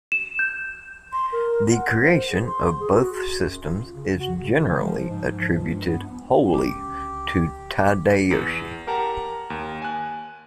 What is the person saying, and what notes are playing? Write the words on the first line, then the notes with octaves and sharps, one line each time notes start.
The creation of both systems is generally attributed wholly to Tadayoshi.
E7
G6
C6
A#4
F#5
C5
G#4
C6
G#4
F#4
F#2
F4
C#3
F#4
C#3
G#3
F3
G#2
F3
C#2
G2
B3
C#2 D3 G4
E2
G4 A#4 F#5 A5 A#5
D#2
G#5 F#6